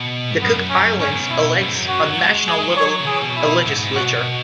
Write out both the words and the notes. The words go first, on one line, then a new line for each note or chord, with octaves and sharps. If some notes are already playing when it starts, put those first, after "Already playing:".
The Cook Islands elects on national level a legislature.
Already playing: B2
G#2
F#2 B3
C#4
G#2 C#4
B2
E4
F#2
G#2
F#2
F#4
F#3
G#3
G#3
G#3 G#4
F#3
C#5
C#3
E3 G#4
B2
E4
G#2
G#2
B2 F#4